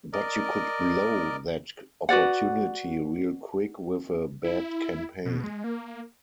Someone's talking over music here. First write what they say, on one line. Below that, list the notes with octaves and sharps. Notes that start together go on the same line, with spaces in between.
But you could blow that opportunity real quick with a bad campaign.
A#4 D5 D#5
F#4 B4 D5 F#5
E4
B2
G#3
A#3